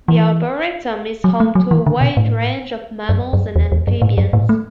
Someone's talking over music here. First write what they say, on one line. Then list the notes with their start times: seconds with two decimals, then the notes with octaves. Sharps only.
The Arboretum is home to a wide range of mammals and amphibians.
0.08 E3
1.24 F#3
1.40 A3
1.55 F#3
1.71 E3
1.87 D3
2.01 B2
2.17 A2
3.09 F#2
3.33 F#2
3.56 E2
3.72 E2
3.87 F#2
4.02 A2
4.18 F#2
4.33 A2
4.49 A3